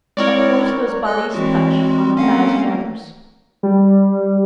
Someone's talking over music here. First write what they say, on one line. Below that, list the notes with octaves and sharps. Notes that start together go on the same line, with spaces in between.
Of course those bodies touch on a thousand others.
G#3 C4 E4 A#4 C#5 D5
A4 D#5 F#6
E3 G#3 C4 F#4
A3 A#3 C#4 F5 F#5
G3